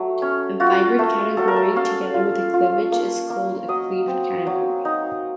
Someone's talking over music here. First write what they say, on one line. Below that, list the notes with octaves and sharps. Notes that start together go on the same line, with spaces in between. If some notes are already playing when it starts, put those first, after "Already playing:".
A fibred category together with a cleavage is called a "cleaved category".
Already playing: F#3 A3
C#4
F4 F#4
A3
F#3 A4
A#4
A4
C#4 F5
F4
F4
A#3
A#3
F#3 D#5
C4
F#3
D#4